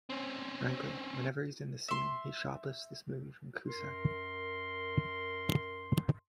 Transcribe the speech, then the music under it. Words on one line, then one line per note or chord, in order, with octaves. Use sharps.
Frankly, whenever he's in the scene, he shoplifts this movie from Cusack.
C4 C#4
E5 C6
F#2 A#4 C6